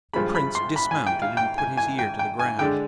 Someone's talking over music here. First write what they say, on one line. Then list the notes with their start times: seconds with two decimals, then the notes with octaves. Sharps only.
The Prince dismounted and put his ear to the ground.
0.14 G2 F3 G#3 B5
0.35 B5
0.55 C6
0.76 B5
0.91 G#5
1.07 G5
1.22 F5
1.37 G5
1.58 G#5
1.77 G#5
1.99 G5
2.19 G5
2.39 G#5
2.59 D3 G#3 D4 G5